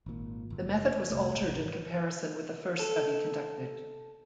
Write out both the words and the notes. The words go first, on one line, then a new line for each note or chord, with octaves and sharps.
The method was altered in comparison with the first study conducted.
G#1 A#2
F#1
F1 C2 A3
G#1 C3
A4